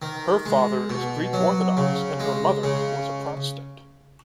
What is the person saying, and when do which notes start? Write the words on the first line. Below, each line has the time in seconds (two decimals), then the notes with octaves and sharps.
Her father is Greek Orthodox, and her mother was a Protestant.
0.02 D#3
0.46 G#3
0.90 B2
1.33 F#3
1.77 C#3
2.20 G#3
2.64 C#3